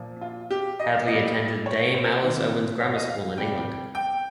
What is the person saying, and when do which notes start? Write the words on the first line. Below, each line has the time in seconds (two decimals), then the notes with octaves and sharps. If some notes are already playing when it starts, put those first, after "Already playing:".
Hadley attended Dame Alice Owen's Grammar School in England.
Already playing: A#2 F3
0.21 F4
0.50 G4
0.79 D#5
0.94 F5
1.07 A#2 G3 D#5
1.66 C#5
1.94 C5
2.04 A#4
2.14 C5
2.22 C3 D#3 G3
2.80 C#5
2.95 D#5
3.09 F5
3.38 C3 G3 G5
3.95 G5